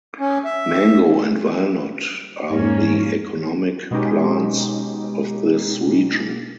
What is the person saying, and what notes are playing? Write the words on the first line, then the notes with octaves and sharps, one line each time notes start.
Mango and walnut are the economic plants of this region.
C#4
E5
F2 G#2 A#3 C#4
B2 G#3 C#4 D#4 G4